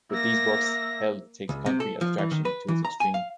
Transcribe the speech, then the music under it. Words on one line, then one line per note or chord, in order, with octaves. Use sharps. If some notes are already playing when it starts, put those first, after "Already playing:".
With these works Held takes concrete abstraction to its extreme.
A#3 E5 A#6
C#2
C3
A4
F3
E3
D#3
B4
E3
A#5
G#5
F5